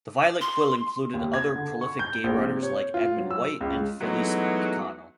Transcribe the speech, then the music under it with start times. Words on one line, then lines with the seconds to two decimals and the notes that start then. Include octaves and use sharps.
The Violet Quill included other prolific gay writers like Edmund White and Felice Picano.
0.41 C6
1.14 D#2
1.33 G#6
1.55 D3
1.81 C#6
1.99 G6
2.24 A#1
2.38 C3
2.63 C#5
2.94 F4
3.17 F#3
3.31 E6
3.61 C#2
4.00 E3 F#3 G#3 A3 B3 D#4